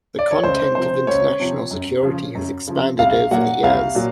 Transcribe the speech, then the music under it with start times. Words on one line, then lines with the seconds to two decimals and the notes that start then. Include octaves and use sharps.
The content of international security has expanded over the years.
0.19 D5
0.31 C#5
0.43 C#2 C5
0.75 C3 F3 C5
1.07 C#2 C#5
1.40 C3 F3
1.71 F#2
2.03 C#3 F3
2.35 F#2
2.68 C#3 F3
2.99 C2 F5
3.31 A#2 F#3 A#3 F#5
3.63 C2 F5
3.95 A#2 F#3